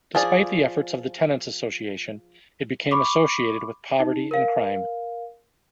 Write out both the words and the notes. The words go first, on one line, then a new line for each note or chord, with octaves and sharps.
Despite the efforts of the Tenants Association, it became associated with poverty and crime.
F3 G#4 D5
B5 C#6 D6
D#4
A#4 F5